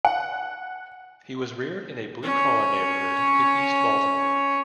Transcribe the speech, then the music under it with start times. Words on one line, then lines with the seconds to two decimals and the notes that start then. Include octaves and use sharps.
He was reared in a blue-collar neighborhood in East Baltimore.
0.05 F#5
2.23 C#4 C#5